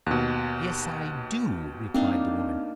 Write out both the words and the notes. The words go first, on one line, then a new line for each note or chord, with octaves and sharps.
"Yes I do," replied the woman.
D#2 B2 F#6
A#3 C4 D4 D#4